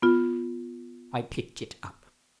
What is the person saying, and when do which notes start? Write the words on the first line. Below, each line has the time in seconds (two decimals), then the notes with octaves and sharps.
I picked it up.
0.02 B3 F4